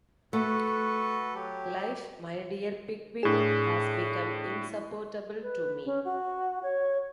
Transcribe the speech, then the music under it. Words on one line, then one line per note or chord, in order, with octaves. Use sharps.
Life, my dear Pickwick, has become insupportable to me.
A3 F#4 A4 B4
F#3 G4
A2 D4 G#4 E7
B4
C#4
F#4
C#5